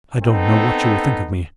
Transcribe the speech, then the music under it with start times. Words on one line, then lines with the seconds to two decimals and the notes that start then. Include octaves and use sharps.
I don't know what you will think of me.
0.23 B3 C4 D#4 A4